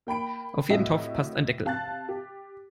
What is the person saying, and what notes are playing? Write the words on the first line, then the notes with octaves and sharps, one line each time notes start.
Auf jeden Topf passt ein Deckel.
A#3 G5 B5 D7
A2 C3 F4 F#4 D#5 E5
C3 F5 A5 F#6 A6
G4